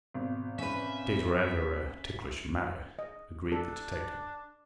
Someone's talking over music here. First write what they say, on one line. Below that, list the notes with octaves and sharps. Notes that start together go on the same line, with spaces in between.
"It is rather a ticklish matter," agreed the detective.
G#1 B2
C#4 B4 E5
D#5
D4 A4